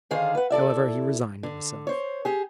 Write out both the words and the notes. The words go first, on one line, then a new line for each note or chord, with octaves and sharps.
However, he resigned himself.
D3 D#3 G#4 C5 F5
B4 F#5
E4 A4 D5 E5
D3
C5 C#5
G4 G#4